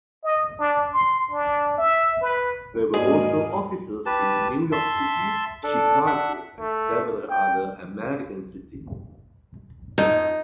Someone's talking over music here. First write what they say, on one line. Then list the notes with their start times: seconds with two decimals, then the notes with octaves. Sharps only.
There were also offices in New York City, Chicago, and several other American cities.
0.24 D#5
0.59 D4
0.93 C6
1.31 D4
1.78 E5
2.21 B4
2.94 F2 G#2 A#3 F#4 G#4 D5 D#5
4.06 G4 B4 A5
4.72 E5 A5 C6
5.63 D4 A4
6.07 D4 E5 F#5
6.60 A3
7.31 G5
9.98 F2 D#4